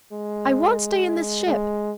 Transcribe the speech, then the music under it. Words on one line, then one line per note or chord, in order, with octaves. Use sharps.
I won't stay in this ship!
G#3
G#3